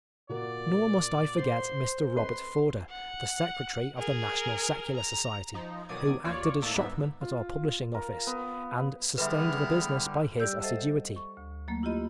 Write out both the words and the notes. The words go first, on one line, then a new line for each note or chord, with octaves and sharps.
Nor must I forget Mr. Robert Forder, the Secretary of the National Secular Society, who acted as shopman at our publishing office, and sustained the business by his assiduity.
A#2 F#4 A#4 D5
C5 C6
B4 C6
F#5
G#4 A#4
A#5
F3 D#4
B2 D#3 F#3 D5 D#6 G#6
D#2 F4 C#5 D5
A2 A#3 A4 D5 E6 G#6
G#2 B3 D#4 E5
F4
A#4
B3
D3 G3 G#3 B3 E4 B4 E5 F6
G3 G4 D5 E6 G6
A4 C5 D#5 E5 F#5 A5
C#6
D2
F#3 A3 A#3
E4 F4 G4 D#5 B5